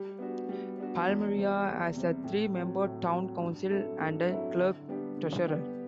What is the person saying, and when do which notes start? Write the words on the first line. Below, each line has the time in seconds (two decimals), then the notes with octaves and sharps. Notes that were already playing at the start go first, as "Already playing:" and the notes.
Palmrya has a three-member Town Council and a Clerk Treasurer.
Already playing: G3
0.19 B3 D4 F#4
0.49 G3
0.78 B3 D4 F#4
1.07 E2
1.35 C3 G3 C4
1.66 E2
1.95 C3 G3 C4
2.24 A2
2.53 F#3 C4
2.83 A2
3.12 F#3 C4
3.42 G2
3.70 F#3 C4 E4 A4
4.00 G2
4.29 F#3 C4 E4 A4
4.58 D3
4.88 G3 B3 D4 G4
5.17 D3
5.46 G3 B3 D4 G4